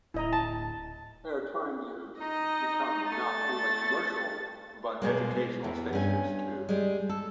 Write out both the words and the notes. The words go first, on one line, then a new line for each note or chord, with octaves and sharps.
They are trying to become not only commercial but educational stations too.
D1 E4 D#5 A#5
A5
D#4 D#5
A3 A6
B2 F3 G#3 A#3
C5
E2
G2 C#4 G#5
G3 G#3
A4